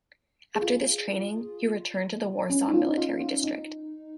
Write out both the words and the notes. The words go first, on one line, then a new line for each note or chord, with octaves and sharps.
After this training, he returned to the Warsaw Military District.
G#4
F4
C#4
D#4
F4
D#4
F4
F4
D#4